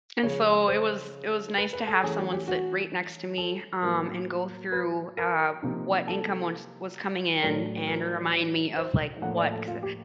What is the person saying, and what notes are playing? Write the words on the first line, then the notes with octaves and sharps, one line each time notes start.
and so, it was it was nice to have someone sit right next to me, um, and go through, uh, what income was was coming in and remind me of, like, what 'cause, uh
C#3 F3 G#3 C#4 C#5
C5
B4
B4
A4
E3 A3 C#4 G#4
F#4
G4
F#4
A4
A2 F#3 A#3 A#4
B4
A#4
C3 F3 A#3 D#4
A4
A2 F#3 A3 D4 A#4
A#4
C5
A2 F3 A#3 D4 F#5
D5
A4
F4
G4